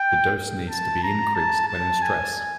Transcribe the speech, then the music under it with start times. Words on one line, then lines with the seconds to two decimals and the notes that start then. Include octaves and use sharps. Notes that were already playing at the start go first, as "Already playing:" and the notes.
The dose needs to be increased when in stress.
Already playing: G5
0.70 A5
1.03 A#5
1.35 A5
1.68 A5
2.02 G#5